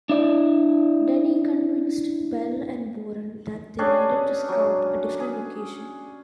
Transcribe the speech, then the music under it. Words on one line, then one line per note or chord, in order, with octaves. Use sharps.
Denny convinced Bell and Boren that they needed to scout a different location.
D4 E4 D5
C#4 D4 G4 G#4
F#3
G#4